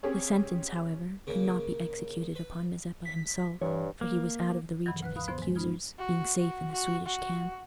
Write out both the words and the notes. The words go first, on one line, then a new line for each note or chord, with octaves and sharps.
The sentence, however, could not be executed upon Mazeppa himself, for he was out of the reach of his accusers, being safe in the Swedish camp.
C4 C#4 G4 G#4 C#5
C#3 A#3
B4
B6
G2 E3 C#5
A#3
G2 C3 D#3 E3 F#3
D2 B4 F#6
F5 B5 D#6 F#6
G2 D3 F3 B3 C5 C6
G#3
B3 D#4 F4 G#6
F#4
F#4
F#4
F#4